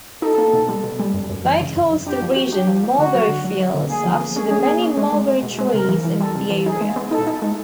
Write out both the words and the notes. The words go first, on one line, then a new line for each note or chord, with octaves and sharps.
They called the region "Mulberry Fields", after the many mulberry trees in the area.
D#4 A4
A#3
B2
G3
B2
G3
F#2
F#2
E3
C#3
F#2
F#2
D4 G4
F3
F#4
D4 G4
F3
A3
D3 F#4
F#3
D3
F#3
F#3
D3
A#3 G#4
F3
A#3
C#4 G#4
C#4
A#3
C#4
G#3
G#3
G#3
B2
G#3
C3 A#4
E3
E3
G3 A4
C3
E3
D#4 G#4
G#3
B3
D#4 A4
D#4
G#3